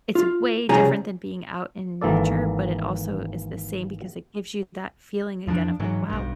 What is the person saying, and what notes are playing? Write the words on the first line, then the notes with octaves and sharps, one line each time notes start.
it's way different than being out in nature, but it also is the same because it gives you that feeling again of like, "Wow.
F4
C2 C#3 F3 G3 G#4 A#5
G#1 E3 A#3 A4 D5
F2 F3 G#3 D4
G#2 E3 F#3
B1 G2